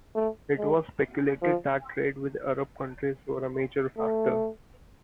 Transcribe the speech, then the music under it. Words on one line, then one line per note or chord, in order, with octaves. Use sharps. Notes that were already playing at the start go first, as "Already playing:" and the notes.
It was speculated that trade with Arab countries were a major factor.
A3
G#3
F3
A3